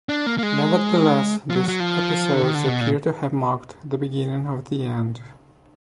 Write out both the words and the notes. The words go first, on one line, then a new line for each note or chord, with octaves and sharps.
Nevertheless, these episodes appear to have marked the beginning of the end.
D4
A#3
A#3
G#3
F3
F#3
F#3
F3
D3
D#3
D3
B2
A#2